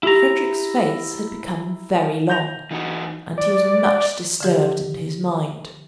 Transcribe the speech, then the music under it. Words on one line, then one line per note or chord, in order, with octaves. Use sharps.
Frederic's face had become very long, and he was much disturbed in his mind.
E4 F#4 G4 A#5
G6 A#6 F7
E3 D#4 F#4
D5
D3 F3 G4